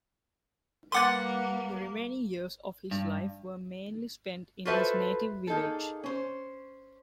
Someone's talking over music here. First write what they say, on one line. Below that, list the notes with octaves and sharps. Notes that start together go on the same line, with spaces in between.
The remaining years of his life were mainly spent in his native village.
G3 A#3 B4 F#5 C6 D6 F#6 A6
G2
F4 F#4 A4 B4 C5 E5
A#3 D#4 G#4 A4
C#4 C5